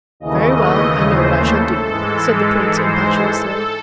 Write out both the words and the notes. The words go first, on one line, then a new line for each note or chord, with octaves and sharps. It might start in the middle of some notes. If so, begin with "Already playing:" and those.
"Very well, I know what I shall do," said the prince, impetuously.
D#2 C#3 E3 A3 D#5
C5
A4
G#2 E3 G#3
C5
A4